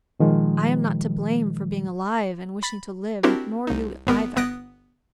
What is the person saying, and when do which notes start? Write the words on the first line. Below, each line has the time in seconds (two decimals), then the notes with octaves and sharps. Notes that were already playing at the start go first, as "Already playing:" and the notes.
"I am not to blame for being alive and wishing to live--nor you either."
0.20 A#2 D#3 F3 G#3
2.63 B5 A6 B6
3.23 C4 D4 E4 F#4 G4 A#4
3.67 C2 D#4
4.07 G#1 B3 A#4
4.36 G1 B3 D#6 F#6 A#6 D7